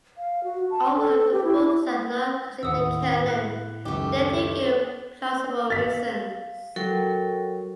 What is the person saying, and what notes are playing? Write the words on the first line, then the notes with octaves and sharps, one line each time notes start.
Although the books are not considered canon, they do give plausible reasons.
F5
F#4
A5
A4
G4
E4
D#2 A2 F#5 D#6 E6
A2 F#6
C#2 F#2 D#3 A3 G4
F5 A6 B6
F#3 A4 A#4 G5